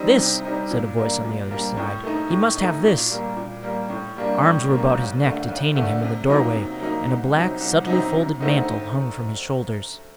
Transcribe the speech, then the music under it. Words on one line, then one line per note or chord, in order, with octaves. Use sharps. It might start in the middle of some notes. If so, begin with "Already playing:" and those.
"This," said a voice on the other side, "he must have this." Arms were about his neck detaining him in the doorway, and a black subtly-folding mantle hung from his shoulders.
Already playing: G3 C4 D#4
C3
G3 C4 D#4
A#2
G3 A#3 D4
A#2
G3 A#3 D4
A2
A3 D#4
A2
A3 D#4
A#2
G3 A#3
A#2
G3 A#3
A2
G3 A#3 D4
A2
G3 A#3 D4
D#2
D3 A3 D4
D#2
D3 A3 D4
C3
F#3 A#3 D#4
C3
F#3 A#3 D#4
C2
C3 F#3 C4 D#4
C2
C3 F#3 C4 D#4
F#2
D3 A3 C4 D#4